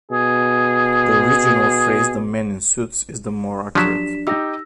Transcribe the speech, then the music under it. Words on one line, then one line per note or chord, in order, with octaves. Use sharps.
The original phrase 'the men in suits' is the more accurate.
B2 G#4
F3 F#3 D4 G4 B6 E7
D#4 G4 E6 A#6